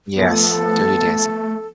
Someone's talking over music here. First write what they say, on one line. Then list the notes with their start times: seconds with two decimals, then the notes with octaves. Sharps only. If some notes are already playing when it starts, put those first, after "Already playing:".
Yes. Dirty Dancing.
0.18 F3 A3 B3 A4